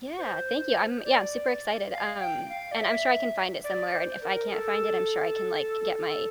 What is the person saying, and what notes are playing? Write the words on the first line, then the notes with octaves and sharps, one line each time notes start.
Yeah, thank you, I'm yeah, I'm super excited, um, and I'm sure I can find it somewhere. And if I can't find it, I'm sure I can, like, get my,
C5
D5
F5
G5
F5
D5
E5
D5
C5
A#4
A4